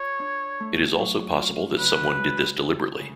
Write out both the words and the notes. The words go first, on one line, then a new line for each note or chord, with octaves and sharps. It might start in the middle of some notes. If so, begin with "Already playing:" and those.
It is also possible that someone did this deliberately.
Already playing: F4 C#5
D4
A3
F#3
F4
C#3 B4
G#3
D2
C#3